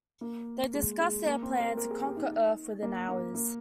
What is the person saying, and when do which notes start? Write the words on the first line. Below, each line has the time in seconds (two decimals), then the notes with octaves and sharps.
They discuss their plan to conquer Earth within hours.
0.21 A#3
0.73 G#3
1.00 G#3
1.26 A#3
1.42 C4
1.60 A#4
1.77 A#4
1.91 G#4
2.03 G4
2.17 D#4
2.82 A#3
3.09 A#3
3.35 A#3